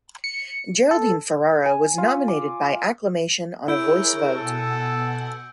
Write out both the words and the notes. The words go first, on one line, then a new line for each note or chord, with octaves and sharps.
Geraldine Ferraro was nominated by acclamation on a voice vote.
C#7
A4
G#5
F4
D6
E4 G#4 A#4 C#5 E6 G6 D7
B2 A4 F#5 G#5